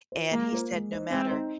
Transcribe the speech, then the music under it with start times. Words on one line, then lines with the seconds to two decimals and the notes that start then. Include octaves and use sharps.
and he said, "No matter"
0.12 F4 C5
0.31 G#3 A#3
0.52 F4 C5
0.72 G#3
0.91 D#4 C5 D#5
1.11 G#3 C4
1.31 D#4 C5 D#5